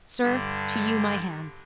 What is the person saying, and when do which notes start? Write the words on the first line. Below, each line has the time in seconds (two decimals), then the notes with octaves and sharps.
Sir, to you my hand.
0.22 G2 D3